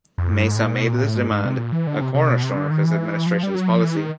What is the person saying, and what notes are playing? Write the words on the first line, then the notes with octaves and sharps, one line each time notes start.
Mesa made this demand a cornerstone of his administration's policy.
F2
G2
G#2
A2
A#2
B2
A#2
A2
G#2
G#2
C3
A#2
E3
D3
C3
C3
B2
C3
D3
D#3
E3
F3
G3
F#3
F3
E3
D#3